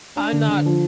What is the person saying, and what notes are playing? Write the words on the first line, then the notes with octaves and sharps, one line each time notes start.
I'm not
D4
D3
D3
F3